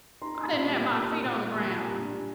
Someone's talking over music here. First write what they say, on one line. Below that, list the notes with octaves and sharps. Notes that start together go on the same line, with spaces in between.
I didn't have my feet on the ground.
D#4 A#5 C6
D#4
A5 B5
A#2
G3
A#2
A#3
A#3
A#2
A#3
G3 A5 B5
A#2
G#5 A#5
G3
D4
D4